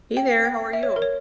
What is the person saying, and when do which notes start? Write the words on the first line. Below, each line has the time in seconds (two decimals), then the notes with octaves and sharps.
Hey there, how are you?
0.17 G5
0.45 G5
0.73 E5
0.83 C#5
0.96 A#4
1.02 C#5